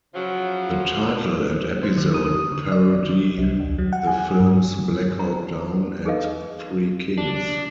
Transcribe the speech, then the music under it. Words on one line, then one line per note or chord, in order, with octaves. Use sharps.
The title and episode parody the films "Black Hawk Down" and "Three Kings".
C#3 F3 F#3
C5
D#3
D#6
D3
D5
D#3
C2
D#2
F#3
F#5
G#5
G2
A#5
D#4 G#4 A4 B4 D#5 F5
D4